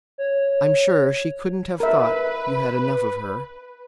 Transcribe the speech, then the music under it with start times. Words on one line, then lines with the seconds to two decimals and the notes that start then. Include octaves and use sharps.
I'm sure she couldn't have thought you had enough of her.
0.18 C#5
1.80 A#4 B4 E5